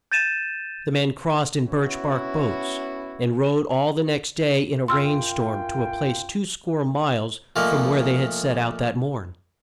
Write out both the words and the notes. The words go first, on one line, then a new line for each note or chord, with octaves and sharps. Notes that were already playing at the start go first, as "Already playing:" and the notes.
The men crossed in birch-bark boats, and rode all the next day in a rain storm to a place two-score miles from where they had set out that morn.
G6 A6 D#7 E7
B3 C#4 E4 F#4
F#2 F4 G5 C6 E6 F6
A#2 F3 A3 A#3 D#4